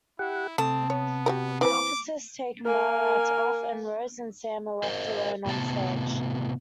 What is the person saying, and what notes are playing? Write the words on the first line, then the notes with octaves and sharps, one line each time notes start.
The officers take Maurrant off, and Rose and Sam are left alone onstage.
E4 G4 F#5
C3 A3 C4 A5 D#6
B3 C#5
F#4 G4 A#4
E3 C4 B4 D6
A#3 A#4 G#5
A#4 C5 D#5
A2 C3 B3 C#5 A5